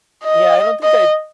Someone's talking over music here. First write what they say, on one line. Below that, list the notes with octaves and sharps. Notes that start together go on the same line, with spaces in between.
yeah, I don't think I
D#5
D#5